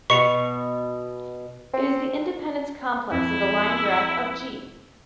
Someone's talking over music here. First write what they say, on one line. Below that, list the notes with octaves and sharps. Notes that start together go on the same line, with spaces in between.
It is the independence complex of the line graph of "G".
B2 C#6 C#7 F7
C4
F2 E4